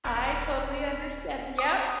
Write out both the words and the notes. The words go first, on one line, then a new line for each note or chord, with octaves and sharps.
I totally understand yep.
D#1 C#4 A#4 B4
G#4 D#6